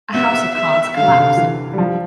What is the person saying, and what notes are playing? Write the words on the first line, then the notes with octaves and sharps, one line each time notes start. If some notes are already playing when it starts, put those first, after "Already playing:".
A house of cards collapsed.
B3 E5
E5
D3 F5
C3
D3
E3
G3
F3